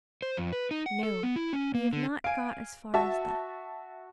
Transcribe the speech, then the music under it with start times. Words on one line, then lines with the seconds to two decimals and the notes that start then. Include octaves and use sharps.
No; we have not got as far as that.
0.22 C5
0.37 F2
0.53 B4
0.71 D#4
0.86 F#5
1.03 A4
1.23 B3
1.36 E4
1.53 C#4
1.74 A#3
1.93 D3
2.24 F5 G#5 D7
2.94 F#4 E5 A5